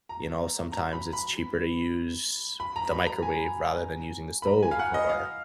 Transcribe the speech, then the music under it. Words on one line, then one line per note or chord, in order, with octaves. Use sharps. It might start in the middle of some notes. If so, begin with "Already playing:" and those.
you know, sometimes it's cheaper to use the microwave rather than using the stove or,
A#5
A#5
B5
B5
B5
A#5
B5
A#5
G#5
B5
A#5
G#5
F5
F#5
D#5
F5